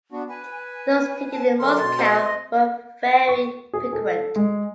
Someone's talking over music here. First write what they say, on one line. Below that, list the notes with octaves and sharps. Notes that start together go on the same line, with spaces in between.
Those taken in Moscow were very frequent.
B3 D4 F#4
B4 G#5
A5
F#2 D3 A#4 C6
B2 D#3 A6
C4 B4 C5 D#5
C#6
G#4
A4
G#3